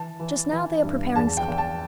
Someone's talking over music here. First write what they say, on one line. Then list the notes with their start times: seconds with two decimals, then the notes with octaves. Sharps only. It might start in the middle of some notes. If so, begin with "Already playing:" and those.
Just now they are preparing supper.'
Already playing: E3 A5
0.19 E3
0.52 E3
0.83 G2
1.16 E2 A5
1.37 G5
1.48 E2
1.58 A5